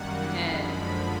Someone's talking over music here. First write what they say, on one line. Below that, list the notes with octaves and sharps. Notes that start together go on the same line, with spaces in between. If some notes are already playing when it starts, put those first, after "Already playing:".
And Yeah.
Already playing: F#2 D#3 G3 A#3 F#5
F#2 D3 F3 G#3 B5
F#2 D3 F3